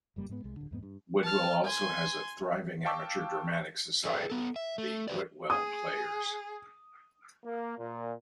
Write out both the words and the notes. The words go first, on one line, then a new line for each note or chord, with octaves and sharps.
Whitwell also has a thriving amateur dramatics society - The Whitwell Players.
F#1 G2 G3 A#3
G#2 G#3 A3 B3
C2 G#3
D1 D3
E2 G#2 B3
G2
A5 F6
G#5 C6
F5 G5 A5 C#6 D6 E6
G#4 A4 B4 D5 E5 G5
B3 A4
E5
A3
G4 B4 C5 D5
G#4 D#6
A#3
A#2